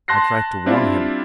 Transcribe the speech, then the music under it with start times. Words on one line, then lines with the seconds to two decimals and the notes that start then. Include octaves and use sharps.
"I tried to warn him."
0.08 A5 C6 F#6 A#6 C7
0.66 G3 C4 D4 E4 F4